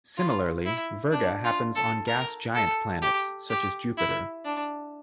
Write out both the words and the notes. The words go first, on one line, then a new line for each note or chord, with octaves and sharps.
Similarly, virga happens on gas giant planets such as Jupiter.
F4
E4
D4
F4
A4
A#4
A4
G4
G4
E4
D4